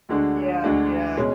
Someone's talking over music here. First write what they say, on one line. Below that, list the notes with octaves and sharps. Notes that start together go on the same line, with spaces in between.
Yeah, yeah.
D2 D3 G#3 D4 F#4
D2 D3 G#3 D4 F#4
B2 G#3 C#4